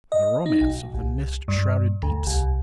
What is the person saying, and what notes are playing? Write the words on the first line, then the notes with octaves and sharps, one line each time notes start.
The romance of the mist-shrouded deeps.
D#5
D#4
B1
C2
G2
D2
C2